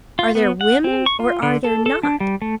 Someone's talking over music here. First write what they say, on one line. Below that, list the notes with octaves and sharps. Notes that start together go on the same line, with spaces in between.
Are there women or are there not?
F4
B3
F#5
C4
C#6
F4
D3
A4
A4
D4
G3
A3